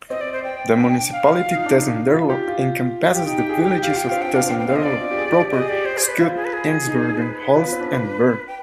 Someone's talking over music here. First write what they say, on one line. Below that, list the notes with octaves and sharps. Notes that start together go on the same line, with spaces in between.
The municipality Tessenderlo encompasses the villages of Tessenderlo proper, Schoot, Engsbergen, Hulst and Berg.
C4 D#5
D5
C5
G5
D4
F5
F4
D#4
D4
D#4
F4
G4
F4
F4
G4 G5
D#4
G4
G#4
G4
G4 F5
F4
G5
C4 F5
D4
G5
D4 F5
C4 G5
B3 G5
F5
C4
D#5
D4 D5
F4
G4
G#4
G4
G4
G4 D#5
G#4
G4 D5
C5
G#4
C5
B4
F4 C5
G#4
B4
G#4
D#4
C5
B4
F4
B3
C4
D4
G5